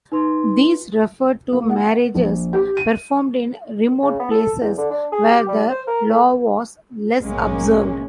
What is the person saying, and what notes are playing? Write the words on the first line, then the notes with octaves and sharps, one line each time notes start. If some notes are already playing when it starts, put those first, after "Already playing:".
These referred to marriages performed in remote places, where the law was less observed.
D#4 B4 C6
A#3
F#5
A#1
G4
D#7
C#3
B3
A4
E2
D3
D4
G#4
G4
G3
C5
A#4
A3
A#1 G#2 B2 G#3 A#3 C#4